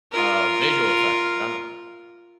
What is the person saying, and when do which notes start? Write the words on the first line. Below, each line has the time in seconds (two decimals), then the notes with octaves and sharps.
um, visual effects in general.
0.12 F4 A#4